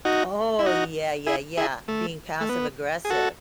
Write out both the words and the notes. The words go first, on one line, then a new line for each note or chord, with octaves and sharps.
Oh, yeah, yeah, yeah, being passive aggressive.
D#4 F#4
E4
D#4 F#4
E4 G#4
E4 G#4
A3
A3
B3
G#4
F#4 A4